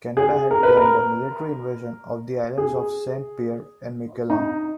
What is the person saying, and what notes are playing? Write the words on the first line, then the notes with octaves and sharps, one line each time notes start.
Canada had planned a military invasion of the islands of Saint-Pierre and Miquelon.
G#4
A#4
B4
A#4
G#4
D#4